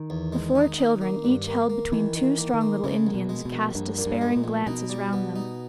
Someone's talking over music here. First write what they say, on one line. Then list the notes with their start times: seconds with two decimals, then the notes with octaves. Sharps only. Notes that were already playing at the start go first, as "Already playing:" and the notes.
The four children, each held between two strong little Indians, cast despairing glances round them.
Already playing: D#3
0.10 E2
0.33 G#3
0.55 D#4
0.78 D#4
1.01 A#3
1.24 G2
1.47 A#3
1.70 A#3
1.92 D#3 E3
2.16 D#3
2.23 E3
2.38 A#3
2.54 D#3
2.61 A#3
2.84 C#3 G#3
3.07 A#1
3.14 B2
3.29 G#3
3.45 B2
3.52 A#1
3.75 A#1 G2
3.98 A#2
4.06 G2
4.21 G#3
4.36 A#2
4.44 A#1
4.67 B2 D#4
4.90 G3
5.13 B3
5.36 D#4